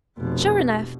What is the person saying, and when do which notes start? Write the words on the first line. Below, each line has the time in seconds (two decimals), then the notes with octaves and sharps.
Sure enough.
0.18 F1 B2